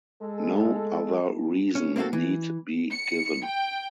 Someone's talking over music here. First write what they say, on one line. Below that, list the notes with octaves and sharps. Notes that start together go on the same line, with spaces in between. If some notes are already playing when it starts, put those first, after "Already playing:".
No other reason need be given.
G#3 A4
C#4
A#3 C4 E4 F#4 A4
E3
C#7
G5